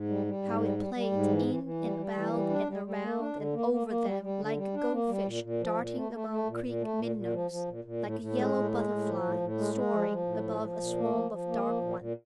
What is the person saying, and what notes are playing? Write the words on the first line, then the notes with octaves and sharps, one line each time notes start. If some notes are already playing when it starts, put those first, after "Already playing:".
How it played in and about and around and over them, like a goldfish darting among creek minnows, like a yellow butterfly soaring above a swarm of dark ones.
Already playing: G#2
G3
G3
G#2
G3
G3
G3
G#2
E3
E3
E3
G3
G3
E3
G3
D4
G3
G3
A#3
D4
D3
A#3
A#3
A#3
G3
G3
D3
G3
D4
A#3
G3
A#2
A#2
F3
A#2
A3
A3
A3
A#2
A#2
A3
A#2
A#2
F3
F3
A#2
A#2
A2
A2
G#3
A2
G#3
A2
F3
A2
A2
G#3
G#3
F3
F3
A2
F3
F3
A#2
A#3
F3
F3
A#3
F3
A#2
A#2